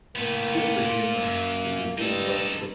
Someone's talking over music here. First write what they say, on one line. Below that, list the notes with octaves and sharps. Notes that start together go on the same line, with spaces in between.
just for humor, just to see what the look
A2 A#3 B3
A#2
F#2
G2 D#4 A4